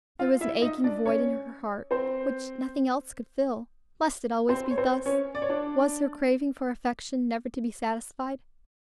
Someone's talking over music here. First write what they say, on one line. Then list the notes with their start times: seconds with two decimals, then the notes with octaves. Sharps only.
There was an aching void in her heart which nothing else could fill; must it always be thus? was her craving for affection never to be satisfied?
0.19 F4 F5
0.41 E4 E5
0.62 D#4 D#5
0.84 D4 D5
1.05 C#4 C#5
1.91 C4 C5
4.49 C4 C5
4.71 C#5
4.78 C4 C5
5.06 C#4 C#5
5.35 D5
5.42 C#5
5.49 D4 D5